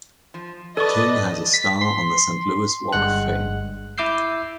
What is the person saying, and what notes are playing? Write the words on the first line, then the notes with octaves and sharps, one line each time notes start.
King has a star on the Saint Louis Walk of Fame.
F3
A4 B4 D5 D#5 A5 C#6
B6
C6
G1 G2 G#3 F#5 F#6
E4 E5 D6 E6 G6 C7